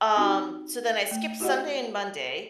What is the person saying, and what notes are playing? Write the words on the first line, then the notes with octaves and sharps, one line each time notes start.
um, so then I skipped Sunday and Monday,
C4 D#4 F#4 G4 G#5
A3
E4 F#4 G4 D#5 F#5